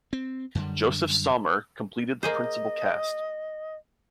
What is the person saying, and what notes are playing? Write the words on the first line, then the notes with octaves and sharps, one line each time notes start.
Josef Sommer completed the principal cast.
C4
F#2 D3 G3
A#3 G#4 C5 D#5